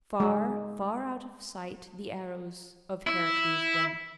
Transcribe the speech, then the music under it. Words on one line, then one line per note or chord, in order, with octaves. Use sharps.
Far, far out of sight the arrows of Heracles went.
G#3
E4